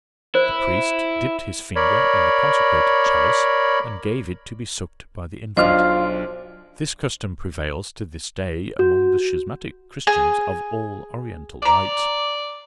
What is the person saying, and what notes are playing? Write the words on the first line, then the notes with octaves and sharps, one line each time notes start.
The Priest dipped his finger in the consecrated chalice and gave it to be sucked by the infant. This custom prevails to this day among the schismatic Christians of all Oriental rites.
E4 C5
A#4 C#5 D5 B5
B1 D4 F4 C5 D#5 F6
F#4
G#4 G#5
D5 A#5 D6